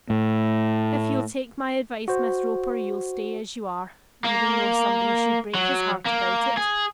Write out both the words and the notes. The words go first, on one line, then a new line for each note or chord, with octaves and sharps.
If you'll take my advice, Miss Roper, you'll stay as you are; even though somebody should break his heart about it.
A2
F#4 C5
A#3
F#3
A#3
G#4